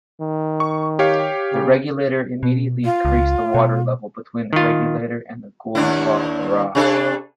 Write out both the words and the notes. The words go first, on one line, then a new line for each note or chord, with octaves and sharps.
The Regulator immediately increased the water level between the Regulator and the Goolwa Barrage.
D#3
C#6
G4 C#5 F5
C#3
B2
F4
C#2
B2
D#3 F4
D#2 D4 E4
C3 D4 A4